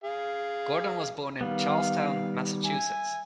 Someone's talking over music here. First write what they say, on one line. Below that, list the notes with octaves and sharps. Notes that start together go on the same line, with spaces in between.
Gordon was born in Charlestown, Massachusetts.
G#4 F5
D#3 G3 B3 F5
E5 G#5